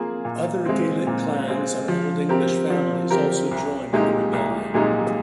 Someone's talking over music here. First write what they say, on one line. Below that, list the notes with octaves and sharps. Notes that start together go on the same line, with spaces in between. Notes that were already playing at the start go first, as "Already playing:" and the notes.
Other Gaelic clans and Old English families also joined in the rebellion.
Already playing: A#3 F4 G#4
A#2
G#3 C4
A#2
G#3 C4
F3
C4 G4 A#4
F3
C4 G4 A#4
C2
A#2 G#3 D#4 G4
C2
A#2 G#3 D#4 G4